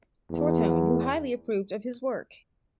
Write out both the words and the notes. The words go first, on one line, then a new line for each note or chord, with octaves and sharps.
Tortone, who highly approved of his work.
E2